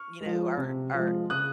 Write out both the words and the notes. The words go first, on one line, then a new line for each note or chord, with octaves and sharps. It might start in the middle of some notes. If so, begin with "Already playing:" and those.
you know, our our,
Already playing: C#6 F6
G#3
F3
C3
F3 G#3
C#3 D#6 F#6